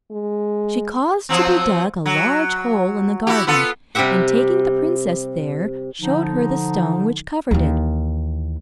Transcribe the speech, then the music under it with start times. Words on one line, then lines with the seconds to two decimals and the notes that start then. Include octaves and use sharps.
She caused to be dug a large hole in the garden, and taking the princess there, showed her the stone which covered it.
0.11 G#3
1.29 F3 F#3 C4
2.06 F#3
3.27 E4 F#4 G4
3.47 B3 F4 A4
3.95 C3 G3 C4 G4 E5 F#5
5.99 D3 F3 D#4
7.51 D#2 E3